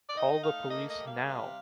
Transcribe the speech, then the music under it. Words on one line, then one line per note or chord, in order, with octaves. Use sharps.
Call the police now!
D5
D#4 D#5
A3 F5
A#3 D#5
D#5
G3
F5
C3